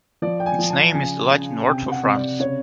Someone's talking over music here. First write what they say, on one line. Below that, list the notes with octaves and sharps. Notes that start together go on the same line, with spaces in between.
Its name is the Latin word for France.
F3 D5
G5
G#5
F3
A5
C#3 G#5
C#3
C3 G5
F#5
C3
D5
C#3 C#5